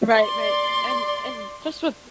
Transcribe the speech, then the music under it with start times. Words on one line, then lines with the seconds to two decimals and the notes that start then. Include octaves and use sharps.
Right right, and and just with
0.15 D5 C6